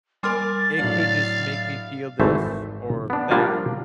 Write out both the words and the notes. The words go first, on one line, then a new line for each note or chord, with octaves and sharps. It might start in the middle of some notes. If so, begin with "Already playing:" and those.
it could just make me feel this or that.
G3 A#4 G#5 C6 D6 F6 A6
A2 F#3 D4 D5 F5
G#1 E3 A3 A4 C5 E5
B3 D4
F3 G3 A#3 D4 F4 A#4